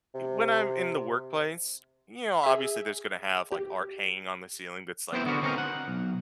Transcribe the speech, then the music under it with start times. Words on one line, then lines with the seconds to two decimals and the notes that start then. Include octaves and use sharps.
when I'm in the workplace, you know, obviously, there's gonna have, like, art hanging on the ceiling that's, like,
0.14 C3
2.43 G#4 E5
3.52 G4
5.13 B3 C4 E4 C5
5.25 D3 B3 F#4 A#4
5.42 D3 C4 C#4 D#4 A4 A#4
5.58 F#5
5.88 B1